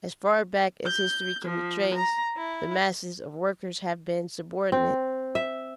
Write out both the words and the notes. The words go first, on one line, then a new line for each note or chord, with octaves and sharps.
As far back as history can be traced, the masses of workers have been subordinate.
G6
F3
A#5
E4
C4
E5